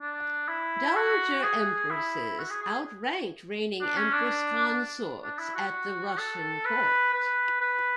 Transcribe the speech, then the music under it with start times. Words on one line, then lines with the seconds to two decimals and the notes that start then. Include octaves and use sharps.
Dowager Empresses outranked reigning Empress Consorts at the Russian Court.
0.01 D4
0.48 E4
0.96 F#4
1.43 G#4
1.90 E4
2.38 F#4
2.50 G#4
2.62 G#4
3.81 D4
3.96 C#4
4.13 D4
5.23 D4
5.39 E4
5.55 F#4
6.18 A4
6.65 B4
7.13 B4
7.61 B4